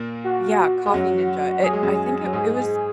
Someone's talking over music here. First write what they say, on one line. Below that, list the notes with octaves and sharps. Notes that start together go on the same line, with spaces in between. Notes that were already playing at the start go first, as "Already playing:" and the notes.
Y yeah, Coffee Ninja, it I think it it was
Already playing: A#2 A#3
F#4
G#3
F#2 F#3
F#3 G#4
G#3
F#2 F#3
F#3
G#2 G#3